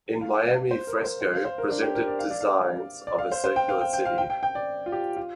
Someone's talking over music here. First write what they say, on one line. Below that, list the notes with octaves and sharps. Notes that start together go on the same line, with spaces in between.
In Miami Fresco presented designs of a circular city.
F5
C5
A#4
C5
C5
F5
C5
A#4
D4
G4
A#4
D5
F5
D5
F5
D5
F5
C5
C5
G5
F5
G5
G5
F5
G5
G5
G5
D5
F4
G4
F4